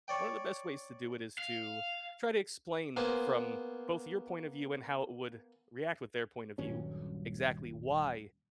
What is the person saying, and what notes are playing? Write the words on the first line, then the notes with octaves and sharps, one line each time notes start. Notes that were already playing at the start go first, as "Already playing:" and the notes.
one of the best ways to do it is to try to explain from both your point of view, and how it would react with their point of view exactly why
C#5 D5 G5
F5
A#3 B3 G#4 C5
D#1 G2 F#3 C#4